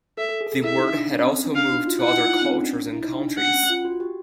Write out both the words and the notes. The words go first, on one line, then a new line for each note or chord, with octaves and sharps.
The word had also moved to other cultures and countries.
A4 E5
A4
G#4
A4
G#4
E4 E5
D#4
D4
C#4
C4
C#4
D4
D4 F5
D#4
F#4
F4
E4 F#5
D#4
F4
D#4
C4
C#4
D4
E4
D#4
D4
F#5
C#4
F4
F#4
G4